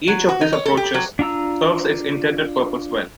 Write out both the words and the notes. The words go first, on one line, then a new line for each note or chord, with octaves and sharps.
Each of these approaches serves its intended purpose well.
F#3
F#4
D#4
C#5
A4
G4
F#3
D4 F4 A#5 E6